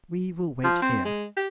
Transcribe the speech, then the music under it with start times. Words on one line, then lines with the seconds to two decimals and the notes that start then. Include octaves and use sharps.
"We will wait here."
0.64 F3
0.82 C4
1.05 G#3
1.37 G4